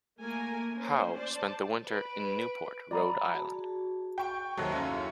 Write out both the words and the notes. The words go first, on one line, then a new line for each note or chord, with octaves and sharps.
Howe spent the winter in Newport, Rhode Island.
A3 A#3 A#4 G#5
C#4 C5
C5 D5 A5
B4 D7
D5 A#5 B5
F#4 G#4 A5
G5 C#6
D#2 G#2 F#3 A4 C5 E5
F#2 C#4 E4 G#4 F5